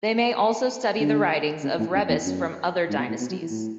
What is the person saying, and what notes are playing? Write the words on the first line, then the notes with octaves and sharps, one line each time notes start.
They may also study the writings of Rebbes from other dynasties.
D3
C#3
A2
F#2
E2
F#2
G#2
B2
A2
B2
F#3
E3
A2